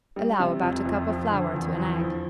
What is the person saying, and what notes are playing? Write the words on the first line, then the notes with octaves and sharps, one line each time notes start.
Allow about a cup of flour to an egg.
G3
C3
F2
F2
F3
D3
E2
E2
F3